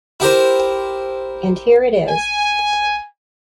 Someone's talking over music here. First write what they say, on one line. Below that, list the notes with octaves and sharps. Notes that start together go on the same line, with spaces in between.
And here it is.
E4 G4 A#4 C5
G#5